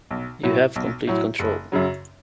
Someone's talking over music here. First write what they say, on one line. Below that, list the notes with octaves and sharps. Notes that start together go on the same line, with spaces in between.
You have complete control.
B1
A2 F#3
B1
A2 F#3
F#1
F#2 C#3 F#3